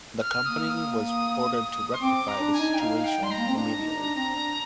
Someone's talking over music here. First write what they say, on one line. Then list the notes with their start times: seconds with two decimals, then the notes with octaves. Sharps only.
The company was ordered to rectify the situation immediately.
0.20 F6
0.46 A#3 D#6
0.58 F6
0.69 D#6
1.94 C6
2.01 C4 D6
2.28 A#5
2.40 D4
2.53 G#5
2.59 D#4
2.74 G5
2.79 D#4 F5
2.95 F5
3.04 G5
3.18 G3
3.23 C6
3.29 G#3 A#5
3.38 A#3
3.47 C4
3.56 D4 A#5
3.77 D#4
3.95 D4
4.15 C4
4.35 D4